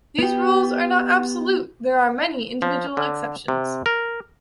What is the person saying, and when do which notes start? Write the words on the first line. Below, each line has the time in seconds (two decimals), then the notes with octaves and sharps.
These rules are not absolute; there are many individual exceptions.
0.19 B3 G4
2.62 F3
2.97 D3
3.48 C3
3.86 A#4